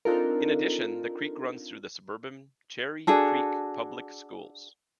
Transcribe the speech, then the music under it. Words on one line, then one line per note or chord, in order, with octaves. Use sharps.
In addition, the creek runs through the suburban Cherry Creek Public Schools.
C4 D4 D#4 F4 A4 A#4
D4 F#4 G#4 A4